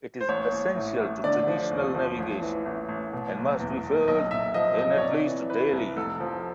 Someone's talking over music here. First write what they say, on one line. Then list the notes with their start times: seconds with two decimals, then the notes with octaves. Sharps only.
It is essential to traditional navigation, and must be filled in at least daily.
0.21 C5
0.29 A1 C#5
0.52 A1
0.76 A2
1.00 A1
1.24 D3 D5
1.47 F3
1.71 D#2
1.95 F3
2.19 A1
2.42 E3
2.66 A1
2.89 A1
3.13 B2
3.37 F#1
3.60 E2
3.84 F#1
4.08 B1 D#5
4.31 A#2 E5
4.54 F3 D#5
4.78 B1 D#5
4.98 C#5
5.02 C3 D5
5.26 E3
5.50 E3 B4
5.73 C2
5.97 F1 A4
6.20 F3